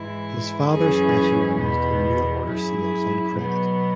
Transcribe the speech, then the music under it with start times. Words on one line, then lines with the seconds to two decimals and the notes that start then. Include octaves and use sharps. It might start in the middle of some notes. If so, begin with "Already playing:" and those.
His father specialized in mail order sales on credit.
Already playing: G#2 E3 G#3 E4
0.68 F#2 E3 C#4 G#4
1.57 E2 B2 B3
2.45 F#2 F#3 E4 G#4
3.34 B2 F#3 B3